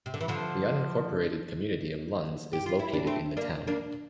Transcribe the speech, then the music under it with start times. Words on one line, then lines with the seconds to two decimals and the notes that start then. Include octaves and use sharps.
The unincorporated community of Lunds is located in the town.
0.06 C3
0.14 D3
0.21 E3
0.28 D3 F3
2.53 G4
2.66 F4
2.79 E4
2.93 D4
3.07 A3 C4
3.37 A#3 D4
3.67 A#3 D4